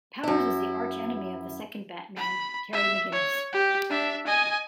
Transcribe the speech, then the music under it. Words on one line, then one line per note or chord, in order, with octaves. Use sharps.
Powers is the archenemy of the second Batman, Terry McGinnis.
F#2 E4
B5
E5
C#5
G4
D4 E5
D#5 G#5